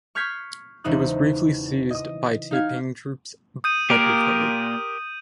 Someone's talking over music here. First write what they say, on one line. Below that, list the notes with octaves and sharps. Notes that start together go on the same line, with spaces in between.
It was briefly seized by Taiping troops but recovered.
C#6 F6 G6 G#6 B6 C7
E1 C#3 C4 D#4 D#6 F#6
D#5 D#6
D#4 F5 G#6
D#6 G6 D#7
A#2 G4 A#4